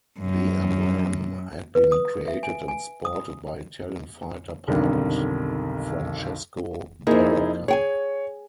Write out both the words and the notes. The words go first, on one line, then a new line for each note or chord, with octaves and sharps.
The emblem had been created and sported by Italian fighter pilot Francesco Baracca.
F#2
B4
D#6
E5
G#5
G#5
D#6
B1 F2 D3 D#3 G3
F2 A#3 D#4 E4 G#4
G#4 C#5 G5 G#5